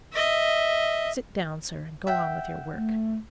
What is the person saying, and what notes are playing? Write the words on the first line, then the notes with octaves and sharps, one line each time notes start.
"Sit down, sir, and go on with your work."
D#5 E5
E5 F#5 G5
A3